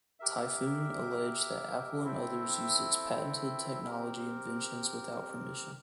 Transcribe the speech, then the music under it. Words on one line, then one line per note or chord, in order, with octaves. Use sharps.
Typhoon alleged that Apple and others used its patented technology inventions without permission.
G4 A#4 E5
C4 E4 A4 E5 G5
C4 G4 A#4